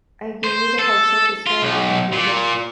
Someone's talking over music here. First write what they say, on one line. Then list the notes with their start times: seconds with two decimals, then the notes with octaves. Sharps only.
I gave you the house of Israel and Judah.
0.44 C5
0.79 A4
1.47 F4
1.62 B1
2.12 A#2